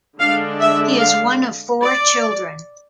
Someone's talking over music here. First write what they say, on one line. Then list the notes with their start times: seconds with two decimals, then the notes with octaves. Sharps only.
He is one of four children.
0.18 D3 G#3 D4 F5
0.60 E5
1.00 F5
1.83 D5